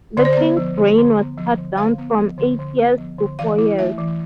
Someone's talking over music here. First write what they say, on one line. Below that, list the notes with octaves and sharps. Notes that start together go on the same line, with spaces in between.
The king's reign was cut down from eight years to four years.
D3 D5
C5
B3 D5
F3
D3
D3
B3
F3
D3
D3 F5
B3
F3
D3
D3
B3
F3
D3
E3 F5
E4
A3 E5
E3